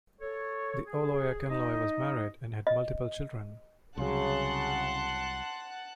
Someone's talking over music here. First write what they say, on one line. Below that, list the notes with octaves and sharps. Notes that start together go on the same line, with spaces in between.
The Oloye Akinloye was married and had multiple children.
A4 C#5
G#4
D#4 D#5
D#5
C2 C#3 F#3 F#5 A5 C6 F#6